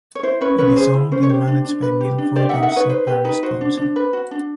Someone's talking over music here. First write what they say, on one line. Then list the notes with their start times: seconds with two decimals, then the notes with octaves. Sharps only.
It is owned and managed by Milford On Sea Parish Council.
0.15 C#5
0.23 E4 C5
0.41 C#4 B4 C#5
0.58 C#4 B4 C#5
0.76 G#4 C5
0.94 E4
1.12 C#4 C5
1.23 C#5
1.29 G4 C5
1.48 D4
1.65 D4
1.82 B4
2.01 G4
2.18 D4
2.36 G4 C5 D5
2.49 E5 F#5
2.54 D#4
2.63 E5 F#5
2.72 D#4 B4 C#5
2.89 B4 C5
3.07 G4 B4
3.24 D#4 B4
3.43 F#4 C5
3.61 D4
3.77 D4
3.96 B4
4.13 F#4
4.31 D4